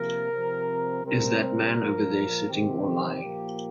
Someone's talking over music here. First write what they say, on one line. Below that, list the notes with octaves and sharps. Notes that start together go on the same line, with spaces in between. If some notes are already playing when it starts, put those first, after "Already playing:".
Is that man over there sitting or lying?
Already playing: C3 F3 A#3 A#4
C3 F3 C4
C3 G3 C4 A#4
A#4
A#2 F3 A#3
F2 C3 D#3 C4 G4
A#2 F3 A#3